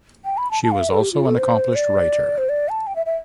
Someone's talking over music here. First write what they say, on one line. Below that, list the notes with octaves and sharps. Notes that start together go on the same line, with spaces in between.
She was also an accomplished writer.
G5
B5
A5
A5
F5
E5
A4
G4
F4
A4
C5
D5
C5
D5
A5
G5
E5
E5